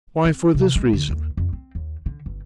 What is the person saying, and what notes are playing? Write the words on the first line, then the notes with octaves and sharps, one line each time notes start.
'Why, for this reason.
C4
C3
G#3
D3
D#2
F2
C4
D#2
D3
G1